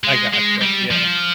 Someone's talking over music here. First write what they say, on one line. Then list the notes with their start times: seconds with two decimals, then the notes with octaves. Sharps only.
I gotcha, yeah.
0.04 G#3
0.34 G#3
0.62 G3
0.91 F3